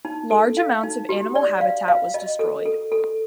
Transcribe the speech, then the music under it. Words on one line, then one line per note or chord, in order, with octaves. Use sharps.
Large amounts of animal habitat was destroyed.
D#4
A4
F5
D#4
G4
D5
F5
F5
D#5
A4
A4
A4